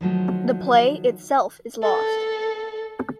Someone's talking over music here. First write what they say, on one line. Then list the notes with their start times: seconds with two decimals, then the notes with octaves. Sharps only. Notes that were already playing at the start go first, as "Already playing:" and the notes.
The play itself is lost.
0.01 D#3 F3 F#3 A3
1.82 A4